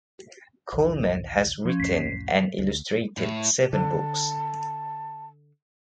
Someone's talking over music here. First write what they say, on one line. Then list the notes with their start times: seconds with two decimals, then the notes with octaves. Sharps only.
Coleman has written and illustrated seven books.
0.73 A#1 D#2 E3
1.65 F3 C#4
1.80 C2 F2 A2 B6 C7
2.59 D2
3.18 A2
3.73 D3 A5